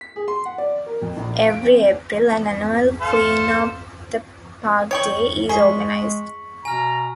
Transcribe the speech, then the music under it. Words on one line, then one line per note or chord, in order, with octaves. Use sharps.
Every April, an annual "Clean Up the Park Day" is organised.
B6
G#4
C6
F#5
D5
A#4
F2
A#1
F5
D7
C4
A4 C5 F5
C#5 G5 C#6 C#7 F#7
G#3 G#4 C#6 B6
B2 G#5 A#5 F6